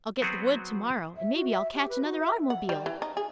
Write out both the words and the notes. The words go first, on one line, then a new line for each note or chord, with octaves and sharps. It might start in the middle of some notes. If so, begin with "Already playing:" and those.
"I'll get the wood to-morrow, and maybe I'll catch another automobile."
F#3 B3 C4 F#4 G#4
E5
F#4
E5
G4
B4
F#4
E5
F#5
G3
E3
D#4
G#4